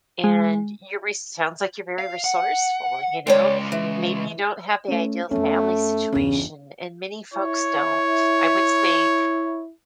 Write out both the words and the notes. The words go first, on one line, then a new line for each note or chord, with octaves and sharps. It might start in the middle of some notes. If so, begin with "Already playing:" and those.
And your re sounds like you're very resourceful, you know. Maybe you don't have the ideal family situation and many folks don't. I would say
G#3
F5
F#5
C#2 G#3 C#5 D5 G5
E3
A3 C#4
F2 A3 B3 C#4
G1 E2 C#3
E4 C#5